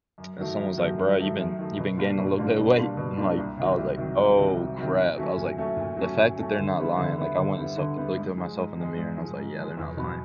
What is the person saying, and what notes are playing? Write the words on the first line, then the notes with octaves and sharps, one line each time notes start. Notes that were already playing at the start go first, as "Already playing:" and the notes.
and someone's like "Bro, you've been you've been gaining a little bit of weight," and, like, I was like, "Oh, crap." I was, like, "The fact that they're not lying," like, I went and saw looked at myself in the mirror and I was like, "Yeah, they're not lying,"
F#2
D#3 F#3 A3
F#2
D#3 F#3 A3
F#2
D#3 F#3 A3
F#2
D#3 F#3 A3
B2
G3 A#3 D4 F4
B2
G3 A#3 D4 F4
B2
G3 A#3 D4 F4
B2
G3 A#3 D4 F4
C2
C3 D#3 F#3
C2
C3 D#3 F#3
C2
C3 D#3 F#3
C2
C3 D#3 F#3
A#2
F#3 A3 C#4
A#2
F#3 A3 C#4
A#2
F#3 A3 C#4
A#2
F#3 A3 C#4
D3
G3 B3 E4
D3
G3 B3 E4
D3
G3 B3 E4
D3
G3 B3 E4
G#2
F3 G#3
G#2
F3 G#3
G#2
F3 G#3
G#2
F3 G#3
E2
B2 F#3 B3